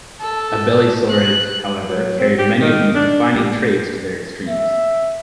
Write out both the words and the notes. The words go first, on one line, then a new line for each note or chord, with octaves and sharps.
Abelisaurids, however, carried many of these defining traits to their extremes.
A4
F#6
F#3
C4
G4
D#3
D4
G3
E5